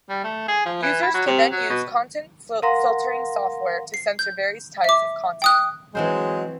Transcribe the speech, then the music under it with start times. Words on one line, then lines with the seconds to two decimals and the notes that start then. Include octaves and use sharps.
Users could then use content filtering software to censor various types of content.
0.09 G3
0.24 A3
0.48 G#4
0.66 F3
0.82 E3
1.03 E4
1.14 F#3
1.27 C3
1.51 F#3
1.70 B2
2.62 A#4 F5 F#5 A#5 C6 A#6
3.94 C7
4.19 G6
4.84 E5 D6
5.42 G5 D#6 F#6
5.95 E3 F#3 G#3 C4 C5